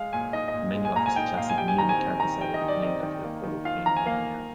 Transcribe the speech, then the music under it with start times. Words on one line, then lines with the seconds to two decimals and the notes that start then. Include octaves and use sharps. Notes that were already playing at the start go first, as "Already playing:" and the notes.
The menu offers a classic Neil McCarthy salad, named after the polo-playing millionaire.
Already playing: G#3 F5
0.13 A#2 G#5
0.33 D#4 D#5
0.48 D#5
0.54 A#2
0.75 G#3
0.85 G#5
0.96 A#2 A#5
1.06 G#5
1.16 D#4 G5
1.37 A#2 F5
1.49 G#5
1.58 G3 G5
1.68 G#5
1.78 D#3 A#5
1.89 G#5
1.99 C4
2.20 D#3 A#5
2.40 G3 G5
2.54 D#5
2.61 D#3
2.68 D5
2.82 C4 D#5
3.03 D#3
3.24 A#3
3.43 D#3
3.65 F4 F5
3.86 D#3 A#5
3.96 G#5
4.06 A#3 F5